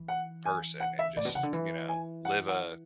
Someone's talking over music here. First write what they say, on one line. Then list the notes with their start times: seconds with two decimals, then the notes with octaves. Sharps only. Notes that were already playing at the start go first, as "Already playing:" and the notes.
person and just, you know, live a
Already playing: E3
0.08 F#5
0.45 G#5
0.80 F#5
0.99 E5
1.16 A2 D5
1.25 B2
1.34 C#3 F#5
1.43 D3
1.53 E3
1.89 G#5
2.25 F#5
2.48 F#5